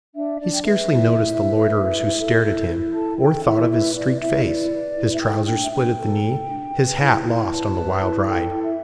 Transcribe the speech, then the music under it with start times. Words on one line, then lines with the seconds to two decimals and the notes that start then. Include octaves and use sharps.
He scarcely noticed the loiterers who stared at him, or thought of his streaked face, his trousers split at the knee, his hat lost on the wild ride.
0.14 D4 E5
0.40 D4 D5
0.54 G5
0.65 B4 E5
0.90 E4
1.17 E4
1.41 B4
1.67 B4
1.92 E4
2.17 A4
2.43 E4
2.68 E4
2.93 A4 A5
3.18 A4 G5
3.44 E4 E5
3.69 B4 E5
3.95 E4 D5
4.20 E4 E5
4.45 B4 D5
4.71 B4
4.96 E4
5.12 E5
5.21 A4 G5
5.46 D4 G5
5.62 E5
5.72 D4 G5
5.97 A4
6.23 A4
6.48 D4
6.73 B4
6.99 E4
7.24 E4
7.49 B4 A5
7.74 B4
8.00 E4
8.26 A4 G5
8.51 E4
8.63 E5